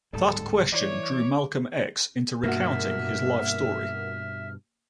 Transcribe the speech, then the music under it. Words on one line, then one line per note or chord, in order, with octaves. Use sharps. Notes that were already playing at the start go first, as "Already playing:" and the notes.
That question drew Malcolm X into recounting his life story.
D1 G#2 G3 A4
E3 C#5 D5 D6
G2 B2 A#3 F#4 E5 F6